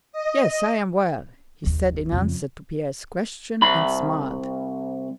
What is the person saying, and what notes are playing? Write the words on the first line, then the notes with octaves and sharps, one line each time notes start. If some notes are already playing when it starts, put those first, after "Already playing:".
"Yes, I am well," he said in answer to Pierre's question, and smiled.
D#5
F#1 D#2
F2 C#3
C2 B5